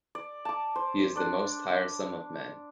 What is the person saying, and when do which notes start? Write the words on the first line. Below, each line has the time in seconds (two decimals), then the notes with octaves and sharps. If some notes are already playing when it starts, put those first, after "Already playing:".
He is the most tiresome of men!
0.15 D5
0.45 A5 D6
0.76 C5
1.16 D4 D5